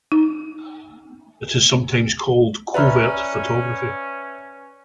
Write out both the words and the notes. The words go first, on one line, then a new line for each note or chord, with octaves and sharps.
It is sometimes called covert photography.
D#4
C#4 B4 D5 E5 A#5 B5 F6